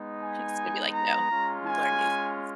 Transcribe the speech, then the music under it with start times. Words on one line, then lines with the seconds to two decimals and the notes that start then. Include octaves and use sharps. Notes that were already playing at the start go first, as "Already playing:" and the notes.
It's gonna be like, no, you learn new things.
Already playing: G#3 B3 D#4
0.21 G#5
0.93 A#5
1.28 G#3 C#4 F4
1.65 G#5